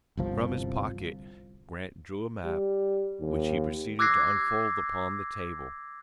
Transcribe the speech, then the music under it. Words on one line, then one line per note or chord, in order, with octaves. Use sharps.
From his pocket Grant drew a map, which he proceeded to unfold upon the table.
G1 C2 F3
G3
D#2
D6 E6 F#6 G#6 A#6 C7